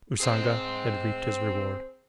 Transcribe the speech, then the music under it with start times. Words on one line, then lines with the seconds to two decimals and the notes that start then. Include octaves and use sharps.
Usanga had reaped his reward.
0.20 C4 G#4 C5